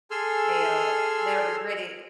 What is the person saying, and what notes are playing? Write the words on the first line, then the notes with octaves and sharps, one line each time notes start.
they'll they'll regret it
G#4 A4 G#5 C6 E6 F6